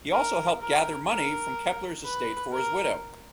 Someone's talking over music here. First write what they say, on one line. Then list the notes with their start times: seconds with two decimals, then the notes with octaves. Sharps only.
He also helped gather money from Kepler's estate for his widow.
0.12 A#4
0.60 A#4
1.08 A#4
2.05 B4
2.53 A#4